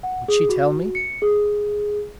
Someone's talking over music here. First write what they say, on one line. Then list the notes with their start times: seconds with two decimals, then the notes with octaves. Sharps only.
Would she tell me?
0.03 F#5
0.28 G#4
0.49 F#4
0.95 C#7
1.22 G#4